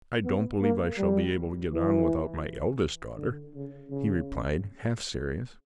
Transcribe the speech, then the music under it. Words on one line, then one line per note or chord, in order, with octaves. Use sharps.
"I don't believe I shall be able to get on without my eldest daughter," he replied, half-serious.
B3
A#3
G3
E3
D3
C#3
C#3